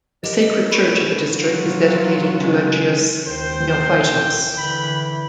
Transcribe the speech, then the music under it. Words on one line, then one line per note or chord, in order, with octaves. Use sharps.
The sacred church of the district is dedicated to Agios Neophytos.
G4 A#4 D#5
D#5
B5 C#6
F#3 F4
C#3 G#3
D#2 C5 G5
D3 E3 B5